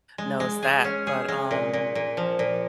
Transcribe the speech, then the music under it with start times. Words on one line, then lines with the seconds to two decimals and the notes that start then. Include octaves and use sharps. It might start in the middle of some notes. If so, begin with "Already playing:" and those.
knows that, but, um
0.18 G#3
0.40 G#3
0.63 G#4
0.85 C#4
1.07 G#4
1.28 G#3
1.51 A#2
1.73 A#2
1.95 A#2
2.17 F3
2.39 A#2